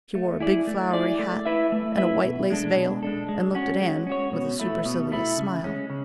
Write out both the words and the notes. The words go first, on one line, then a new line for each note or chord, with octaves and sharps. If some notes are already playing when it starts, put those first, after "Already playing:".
She wore a big flowery hat and a white lace veil and looked at Anne with a supercilious smile.
A3
E4 G#4 D5
A3
E4 G#4 D5
A3
E4 B4 E5
A3
E4 B4 E5
B2
G#3 D4 A4
B2
G#3 D4 A4
G#3
C#4 F#4 C#5
G#3
C#4 F#4 C#5
B2
A3 E4
B2
A3 E4
C#3
G#3 C#4
C#3